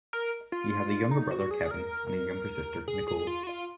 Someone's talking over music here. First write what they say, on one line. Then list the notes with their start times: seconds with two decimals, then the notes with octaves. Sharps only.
He has a younger brother, Kevin, and a younger sister, Nicole.
0.13 A#4
0.52 F4
1.11 D#4
1.31 F#4
1.51 G#4
1.65 G#4
1.71 A#4
2.88 G#4
3.08 G#4
3.27 F4
3.43 F#4
3.47 F4